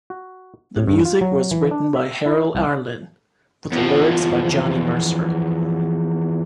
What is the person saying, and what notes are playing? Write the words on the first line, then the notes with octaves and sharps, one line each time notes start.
The music was written by Harold Arlen, with the lyrics by Johnny Mercer.
F#4
A2
G2
F4
F#3
E3
D4
E5
E4
C2
E2 F3